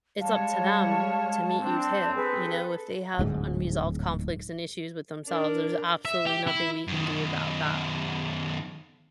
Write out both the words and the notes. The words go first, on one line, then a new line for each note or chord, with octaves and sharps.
it's up to them to meet you too. You know, if they have unresolved conflicts and issues with themselves, there's absolutely nothing we can do about that.
G3 G#3 C#5 F5 A5
C4 D4
G#4 A4 B4
D1 G#2
D4 A#4
E5
G4
E4
F#2 D#3